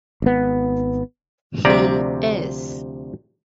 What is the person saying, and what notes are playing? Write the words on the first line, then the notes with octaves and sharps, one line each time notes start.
He is.
G#1 B3
D2 C3 F3 D5 A#5